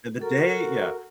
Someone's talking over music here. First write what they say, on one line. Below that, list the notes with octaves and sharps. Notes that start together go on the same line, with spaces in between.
and the day yeah.
F#4 A4 A#4